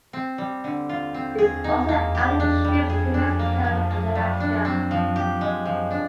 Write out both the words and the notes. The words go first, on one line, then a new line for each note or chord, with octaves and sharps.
It also added trips to Mexico and Alaska.
C4
G3
D3
F4
C4
G#4
D#4
A#3
G4
D4
G3
G#4
D4
A#3
F3
A#3
G3
D4
C4
F3
G4
G#3
F3
D4